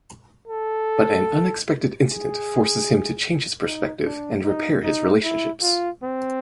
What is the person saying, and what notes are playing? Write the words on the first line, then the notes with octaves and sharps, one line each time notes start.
But an unexpected incident forces him to change his perspective and repair his relationships.
A4
G#4
D#4
D4
D#4
D#4
E4
F4
C4